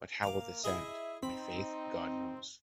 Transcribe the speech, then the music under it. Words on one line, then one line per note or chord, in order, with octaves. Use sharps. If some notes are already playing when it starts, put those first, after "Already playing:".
But,how will this end?”My faith, God knows.
A#3 F5 D6
E4 G#4 D#5 E5
C4 D#4 B5